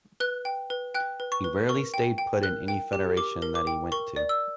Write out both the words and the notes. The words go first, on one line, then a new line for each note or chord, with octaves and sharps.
He rarely stayed put in any federation that he went to.
B4 F#6
G5
B4
G5 F#6
B4
C#6
B4
A#4 C#6
G5
G5
A#4 F#6
G5
G4
A#4 D6
A#4
D6
G5
A#4 C#6
D5
E6